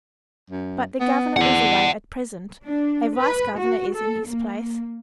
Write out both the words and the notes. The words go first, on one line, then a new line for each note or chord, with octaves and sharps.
But the governor is away at present; a vice-governor is in his place.
F#2
B3
E2 D5 F#5
D4
B4
F#4
A4
A#3